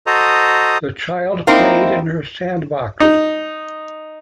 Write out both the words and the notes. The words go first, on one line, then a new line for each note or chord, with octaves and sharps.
The child played in her sandbox.
F#4 A4 C5 D#5 A#5 D#6
A#3 C4 D#4 E4
D#4